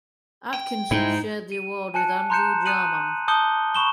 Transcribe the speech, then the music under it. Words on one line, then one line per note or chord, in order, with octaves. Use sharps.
Atkinson shared the award with Andrew Jarman.
G5
G#2 G#3 D#4 E4
D#7
G#5 A5 F#6 C#7
A#5 C6 F#6 G6 C#7 E7
D#6 F#6 C#7 D#7 F#7
A5 D6 D#6 G6 C#7 G7
B5 C#6 E7 G7